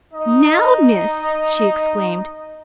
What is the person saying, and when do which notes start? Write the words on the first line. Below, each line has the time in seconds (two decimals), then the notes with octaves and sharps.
"Now, Miss!" she exclaimed.
0.13 D#4 D#5